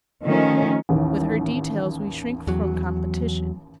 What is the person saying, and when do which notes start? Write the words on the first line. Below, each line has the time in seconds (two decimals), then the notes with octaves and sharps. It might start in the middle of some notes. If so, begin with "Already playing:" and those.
With her details we shrink from competition.
0.24 D#3 F3 A3 C#4
0.89 A1 D#2
2.47 E2 F#3